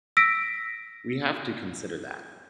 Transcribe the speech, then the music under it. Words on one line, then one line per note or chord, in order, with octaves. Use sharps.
We have to consider that.
E6 A#6 B6 D7